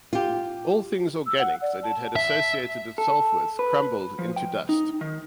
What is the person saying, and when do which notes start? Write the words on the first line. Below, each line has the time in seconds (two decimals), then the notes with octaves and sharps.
All things organic that it had associated itself with crumpled into dust.
0.13 F4 G4
1.26 E6
1.39 F#5
1.62 D5
1.83 A5
2.16 E5
2.98 A4
3.59 B4
4.19 F3
4.36 G5
4.69 D#4
5.01 D#3